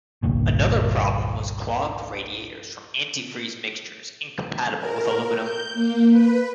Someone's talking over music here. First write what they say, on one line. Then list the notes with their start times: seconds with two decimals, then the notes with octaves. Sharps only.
Another problem was clogged radiators from antifreeze mixtures incompatible with aluminum.
0.23 G1 C2 G2 A#2
4.78 A#4
5.38 G6
5.74 A#3
6.09 B4